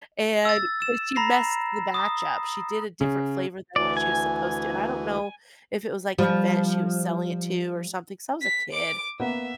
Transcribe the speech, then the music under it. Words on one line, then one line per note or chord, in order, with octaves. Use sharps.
And, so she messed the batch up, she did a different flavor than what she was supposed to. And I don't know if it was like an event she was selling it to or something. So I was a kid
E6 A6
E6 E7
A#5 B5 A#6 C7
D#6
C#3
D2 E3 D5
G#5
F3 G3
B6
D6 D7
A#3 B3 E5 F#5